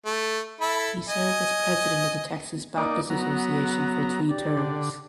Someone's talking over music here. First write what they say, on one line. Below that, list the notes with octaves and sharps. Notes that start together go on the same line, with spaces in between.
He served as president of the Texas Baptist Association for three terms.
A3
E4 A4 B5
D#5 G#5
A#3 D#4 D5
F#3 B3 A#5
G4 D5
D3